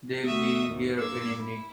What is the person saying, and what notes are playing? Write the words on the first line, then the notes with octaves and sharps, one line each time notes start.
They'll be here any minute!
D2 A3 F#4 E5 D#6
D#2 G#2
G2 A#3 C6 D6 E6 G#6
E4